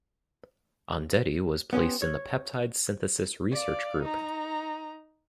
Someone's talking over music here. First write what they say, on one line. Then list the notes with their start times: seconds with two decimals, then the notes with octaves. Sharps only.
Ondetti was placed in the peptide synthesis research group.
1.73 B3 C#4 E4 G4 C5
2.02 C#5
3.51 D5 F5
4.02 D#4 A#5